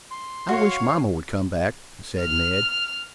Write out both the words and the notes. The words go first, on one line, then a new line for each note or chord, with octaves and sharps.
"I wish mamma would come back," said Ned.
C6
F#4 C#5 F5
F6